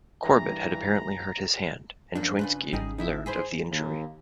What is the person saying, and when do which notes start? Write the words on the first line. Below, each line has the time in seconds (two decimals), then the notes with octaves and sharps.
Corbett had apparently hurt his hand, and Choynski learned of the injury.
0.24 G2 E3 A#5
2.15 F#2 F3 A#3 D4
2.39 C#3 F4 B4
2.73 G#1 G3 D#4 G#4
2.98 D#4 E4 E5
3.26 G#4 B4 C5
3.66 D#2